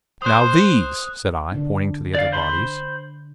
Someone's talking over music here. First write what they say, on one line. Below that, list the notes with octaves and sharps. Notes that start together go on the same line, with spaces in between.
"Now these," said I, pointing to the other bodies.
C5 D#6 F#6
D3 D4
D5 F5
C5 B5 C6